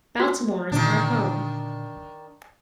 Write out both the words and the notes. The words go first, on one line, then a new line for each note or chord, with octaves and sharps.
Baltimore's our home.
F#4
A#2 D3 D#3 D4